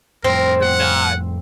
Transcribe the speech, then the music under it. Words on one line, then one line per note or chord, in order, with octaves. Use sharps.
to not
F2 A2 C4 A#4
F#5